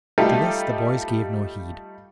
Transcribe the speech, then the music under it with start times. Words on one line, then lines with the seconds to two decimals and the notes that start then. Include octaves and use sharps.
To this the boys gave no heed.
0.18 G3 A3 D#4 F4 G4 A4